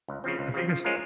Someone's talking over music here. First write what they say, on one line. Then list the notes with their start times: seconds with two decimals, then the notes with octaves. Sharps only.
I think there's
0.08 C#2
0.24 C#3 F3 C4
0.39 C#2
0.54 C#3 F3 C4
0.69 F3
0.85 G#3 C#4 F4 A#4